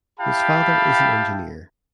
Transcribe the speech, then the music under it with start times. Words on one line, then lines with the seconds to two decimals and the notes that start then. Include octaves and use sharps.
His father is an engineer.
0.19 E4 G4 F5 G5 A5 B5